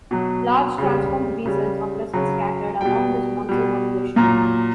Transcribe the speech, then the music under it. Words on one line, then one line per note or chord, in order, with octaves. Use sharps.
Large transformed B cells are present scattered among the small cell population.
B2 F#3
C#3 G3
C#3 G3
C#3 F#3
B2 G3 G5
B2 G3
A#2 F#3 A#5